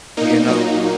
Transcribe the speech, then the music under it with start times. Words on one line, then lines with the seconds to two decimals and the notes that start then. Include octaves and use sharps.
you know,
0.17 A#2 A#3 D#4
0.48 A#2 F#3 A#3 D#4